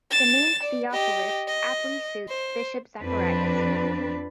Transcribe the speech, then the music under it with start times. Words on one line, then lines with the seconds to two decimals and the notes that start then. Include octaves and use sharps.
The name Theophilus aptly suits Bishop Zacharias.
0.11 A6 E7
0.63 D5
0.92 G4 D#5
1.48 D#5
2.29 C5
3.01 F2 C4 D4 B4